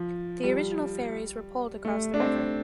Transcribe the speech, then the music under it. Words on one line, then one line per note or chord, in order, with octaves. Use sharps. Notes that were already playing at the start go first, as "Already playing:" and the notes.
The original ferries were poled across the river.
Already playing: F3
G3
A3
D4
C4